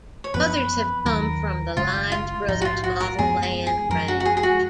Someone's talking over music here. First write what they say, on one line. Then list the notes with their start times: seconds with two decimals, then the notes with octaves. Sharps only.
Others have come from the Lines Brothers Model-Land range.
0.24 C#5
0.34 F#2 F3 B3 B4
1.05 D#2 D#3 F#3 A#4
1.77 F#1 F#2 C#3 G#3 F4
2.12 F4
2.48 A#1 G#2 F3 D#4
2.62 F#4
2.65 F4
2.84 F#4
3.01 A#4
3.19 F#2 F3 G#3 B3 G#4
3.43 G#4
3.67 G#4
3.89 F#2 F3 G#3 A#4
4.08 F#4
4.20 F#4
4.25 G#4
4.37 G#4
4.43 F#4